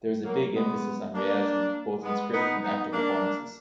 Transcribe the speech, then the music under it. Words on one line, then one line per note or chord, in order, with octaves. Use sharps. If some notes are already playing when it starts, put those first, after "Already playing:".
There is a big emphasis on reality both in script and actor performances.
F#3 A#3
G#3 B3
A#3 D4
G#3 B3
B3 D#4
B3 D#4
A#3 D4